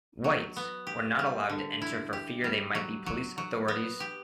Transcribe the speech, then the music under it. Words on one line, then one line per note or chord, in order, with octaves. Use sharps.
"Whites" were not allowed to enter for fear they might be police authorities.
F#3
B3
G4
G3
D3
E4
G4
G3
F#3
F#3
F#3
B3
G4